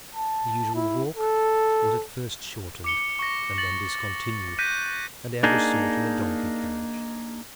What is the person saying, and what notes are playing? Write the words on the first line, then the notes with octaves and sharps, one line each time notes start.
The usual walk was at first shortened, and then discontinued; and air was sought in a donkey-carriage.
A5
E4
A4
D6 C#7 G7
C#6 A#6
A6 F#7
F#6 G6 A#6 B6 D#7
A#3 D4 D#4 G#4